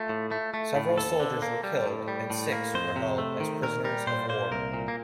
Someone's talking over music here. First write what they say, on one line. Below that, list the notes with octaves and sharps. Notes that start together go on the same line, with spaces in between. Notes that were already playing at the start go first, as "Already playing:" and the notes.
Several soldiers were killed and six were held as prisoners of war.
Already playing: A3 F4
A2
A3
A3
A2
D#2 A4
D3
A#3
G3
A2
G3
A2
A#3
F2 C5
C3
A3
D#3
A#2 A#4
G3 A#4
A#2 C5
A#3 C5
C2 A#4
A#2
A#3